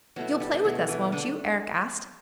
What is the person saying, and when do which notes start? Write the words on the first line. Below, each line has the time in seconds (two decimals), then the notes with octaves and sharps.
"You'll play with us, won't you?" Eric asked.
0.16 B2 F#3 A3 E4
0.40 G3
0.54 G3
0.64 B2 F#3 A3 E4
0.89 E3
1.12 D3 A3 D4 A4